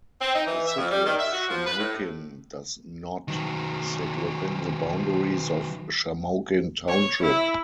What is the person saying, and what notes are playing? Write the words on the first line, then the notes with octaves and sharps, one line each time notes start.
The city of Shamokin does "not" sit within the boundaries of Shamokin Township.
C4
D#4
E3
E5
F2
G3
D#3
E5
F#4
F3
B4
A2
D#3 F#3
C#5
E4